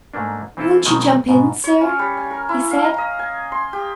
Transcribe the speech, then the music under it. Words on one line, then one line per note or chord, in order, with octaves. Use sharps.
"Won't you jump in, sir?" he said.
G#2 A3 A#3 D4
E3 C4 E4 F4 A4 A5
B2 D#3 F3 F#3 G#3
G#2 B2
C#5
C#4
G3
G#5
A#4
E4
F5
A#5
D#5
G#5
C6
G4